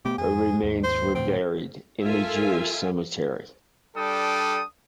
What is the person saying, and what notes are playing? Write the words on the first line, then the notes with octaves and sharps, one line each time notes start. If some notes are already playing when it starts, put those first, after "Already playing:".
Her remains were buried in the Jewish cemetery.
B2 A3 B3 G4
F2 G#4
D#2 G#2
C5
D2 A2 C4
F4 A4 A#4 E5 F5 G#5
G3 D4 A4 G5 D#6